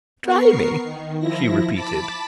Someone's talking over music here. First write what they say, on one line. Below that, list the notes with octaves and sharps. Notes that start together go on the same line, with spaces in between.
"Try me," she repeated.
B3 A#4 C#6 C7
D#3
F3 E4 A#6
A5 B5 D6 A6 B6